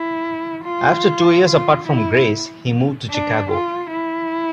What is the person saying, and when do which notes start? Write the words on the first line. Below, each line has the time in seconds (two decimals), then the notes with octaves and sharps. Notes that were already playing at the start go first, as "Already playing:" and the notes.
After two years apart from Grace, he moved to Chicago.
Already playing: E4
0.64 F4
1.46 F4
1.87 E4
3.10 D4
3.51 F4
3.92 E4